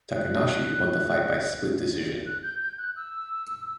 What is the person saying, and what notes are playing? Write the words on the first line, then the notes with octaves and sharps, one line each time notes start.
Takanashi won the fight by split decision.
F#6
F#6
G6
G6
F#6
E6